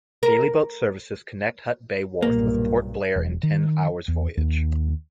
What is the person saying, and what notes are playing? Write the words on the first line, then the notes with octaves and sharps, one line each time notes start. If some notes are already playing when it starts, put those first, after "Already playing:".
Daily boat services connect Hut Bay wharf with Port Blair in ten hours voyage.
A#4
B1 G2 A#2 A#3
E1
D#3
E2
D#2